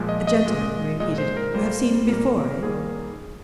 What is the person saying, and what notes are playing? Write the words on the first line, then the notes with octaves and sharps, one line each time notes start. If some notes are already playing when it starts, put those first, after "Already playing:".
"A gentleman," he repeated; "you have seen him before--eh?"
Already playing: A#2 F3 G#3
D#5
D#5
A#2 G#3
A#2 G#3 D#5
C5
A#4
A#2 G3 A#3 C5
A#2 G3 A#3 A#4
D#3 G3 A#3 G#4